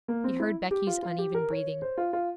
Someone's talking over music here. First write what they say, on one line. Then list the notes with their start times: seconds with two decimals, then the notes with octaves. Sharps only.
He heard Becky's uneven breathing.
0.08 A#3
0.24 C4
0.40 E4
0.71 G4
0.87 F4
1.03 F4
1.18 G4
1.34 A#4
1.50 C#5
1.82 C5
1.98 F4
2.13 F4